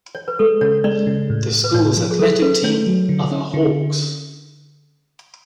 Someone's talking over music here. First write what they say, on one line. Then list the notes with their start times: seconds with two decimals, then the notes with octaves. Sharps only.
The schools' athletic teams are the Hawks.
0.15 C#5
0.28 B4
0.39 G#3 A4
0.61 C#3 C#5
0.84 G#3 D5
1.07 C#3
1.30 A2
1.52 A2
1.64 B4
1.74 A2 C#5
1.97 F3
2.11 G#4
2.19 F#3 A4
2.42 C#4 B4
2.64 A3 C#5
2.87 F#3
3.09 D3
3.32 C#4
3.54 D3